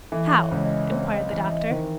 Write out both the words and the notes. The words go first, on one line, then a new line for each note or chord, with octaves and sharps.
'How?' inquired the doctor.
E3 A4
C#5
C#2 C5
C#5
D#5
C4 C#5
D#5
E3 E5
D#5
D#3 C5